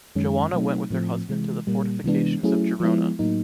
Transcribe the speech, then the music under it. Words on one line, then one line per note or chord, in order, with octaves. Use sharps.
Joana went with her husband to the fortifications of Girona.
F#2 D#3 G#3 C#4
B2 F#3 A3 C4 D#4
A2 F3 A3 C4
C3 E3 G#3
A#2 G3 A#3
C3 E3 G#3 B3 D4
F#3 A3 C#4 E4 G#4
F3 G#3 B3 E4
A2 F#3 A#3 D#4